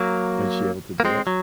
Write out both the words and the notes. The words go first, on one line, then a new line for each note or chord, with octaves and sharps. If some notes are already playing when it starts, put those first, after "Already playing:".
Was she able to do it?
Already playing: F#3 A#3
A#3
G#3 C4
F#3